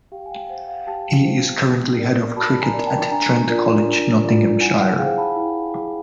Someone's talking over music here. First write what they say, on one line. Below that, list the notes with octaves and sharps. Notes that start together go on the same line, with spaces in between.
He is currently Head of Cricket at Trent College, Nottinghamshire.
G4 F5 G5
G#5
F5 G5
C5 F#5
F5 G5
G4 G5 A5
C5
F#4
A#4 D5
F#4 A5 B5
G#5 A#5
A#4 D5
G5 A5
D4 G#5 A#5
F4 A#4 D5
D4
F4 A#4 D5
E4 F#5 G#5
F#5
G#4 C5 F5 G5
A5 B5
E4
G#4 C5